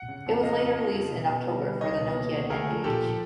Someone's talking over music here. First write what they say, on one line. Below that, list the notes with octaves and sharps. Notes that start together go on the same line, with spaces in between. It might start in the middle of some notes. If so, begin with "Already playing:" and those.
It was later released in October for the Nokia N-Gage.
Already playing: F#5
C#3
F2
C#3 D#5 F5
F2
F2
C#3
B2
B2
G3
G3
C#2 C#5 D#5
B2
A#3
C#2
A3 G#4 A#4
F3
A#2 G4 A4
F3